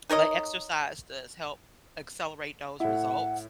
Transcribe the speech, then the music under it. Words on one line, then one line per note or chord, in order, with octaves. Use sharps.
but exercise does help accelerate those results,
D#4 A#4 C#5 D#5
A2 E4 F#5